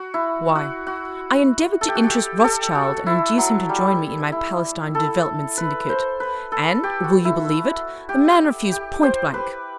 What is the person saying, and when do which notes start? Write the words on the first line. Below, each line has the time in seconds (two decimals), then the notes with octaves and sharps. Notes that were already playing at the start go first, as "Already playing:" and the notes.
Why, I endeavoured to interest Rothschild and induce him to join me in my Palestine Development Syndicate, and, will you believe it, the man refused point blank.
Already playing: F#4
0.14 E4
0.55 F#4
0.87 F#4
1.81 A4
1.88 G4
1.95 F#4
2.03 G4
2.40 G4 A4
2.75 F#4
3.06 E4
3.38 F#3
3.69 G3
4.32 E4
4.95 A4
5.57 B4
5.89 C5
6.20 B4
6.52 A4
6.84 G4
7.04 F#4
7.25 E4
8.09 G4
8.72 G4
9.03 C5
9.34 B4